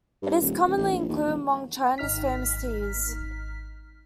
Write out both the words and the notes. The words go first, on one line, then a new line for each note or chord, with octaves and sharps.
It is commonly included among China's famous teas.
G2
D#1
D#1
A1
A#1
D#2
E1
G#1 D#4 F6 B6